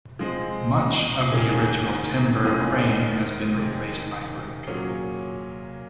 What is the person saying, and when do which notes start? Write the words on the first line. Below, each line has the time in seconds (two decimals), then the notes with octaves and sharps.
Much of the original timber frame has been replaced by brick.
0.19 F3 G#3 C4
1.32 D#3 A#3 C#4 G#4
2.44 D#3 G#3 C#4 F4
3.55 C3 D#3 G#3
4.67 A#2 F#3 C#4 G#4 C#5